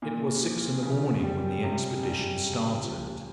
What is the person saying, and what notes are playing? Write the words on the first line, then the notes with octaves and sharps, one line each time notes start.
It was six in the morning when the expedition started.
A#2
F3
C#3
G3
C3
G3
C#3
F3